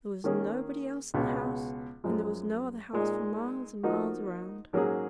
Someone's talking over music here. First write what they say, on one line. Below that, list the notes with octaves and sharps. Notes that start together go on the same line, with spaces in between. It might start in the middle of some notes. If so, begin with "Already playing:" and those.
There was nobody else in the house, and there was no other house for miles and miles around.
D#3 A#3 C#4 G#4
C#2 B2 G#3 B3
F#2 F3 G#3
A#2 G#3 D#4
F3 A#3 D#4 F#4
G#2 F#3 A#3 C#4 G#4